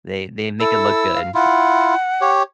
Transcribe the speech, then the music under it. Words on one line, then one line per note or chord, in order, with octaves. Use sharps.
They they make it look good.
E4 A4 E6
F5
E4 F4 F#5
G4 C#5